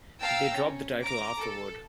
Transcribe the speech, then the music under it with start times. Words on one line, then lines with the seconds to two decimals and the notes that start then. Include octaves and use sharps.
They dropped the title afterward.
0.22 F5 G5 A5 A#5 E6
0.56 C#4
1.03 A#5 D6
1.38 A4